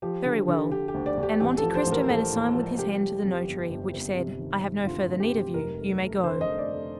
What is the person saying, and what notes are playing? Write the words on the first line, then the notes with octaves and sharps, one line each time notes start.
"Very well;" and Monte Cristo made a sign with his hand to the notary, which said, "I have no further need of you; you may go."
F3 G4
D3
D3
D3 G4
G4
D2
D5
D2
G4
A1 G4
A4
F3
C5
A1
A#4
A1 A4
A2
F3
C3 G4
G3
F2
G1
G1
G1
C3
D#3
D#3
D2 F4
D2
G4
C3
F1 A#4
A3
A3
D3 C5
D#5
A3
D5
A3